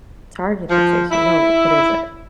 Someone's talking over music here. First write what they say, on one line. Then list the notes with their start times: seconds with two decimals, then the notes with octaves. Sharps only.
Target fixation. No. What is that?
0.70 F3
1.11 E4